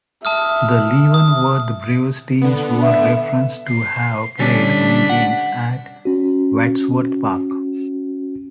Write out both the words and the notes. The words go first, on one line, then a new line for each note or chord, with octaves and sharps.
The Leavenworth Braves teams were referenced to have played home games at Wadsworth Park.
E5 A5 D#6 F6
D#6
D3 B3
E5
C7
D3 G3 C#4 D4 B6
F#5
C#4 F#4